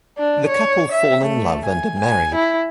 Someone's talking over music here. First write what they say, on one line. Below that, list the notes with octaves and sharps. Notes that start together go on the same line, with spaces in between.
The couple fall in love and are married.
D4
C#5
E5
A3
G#5
G#5
E4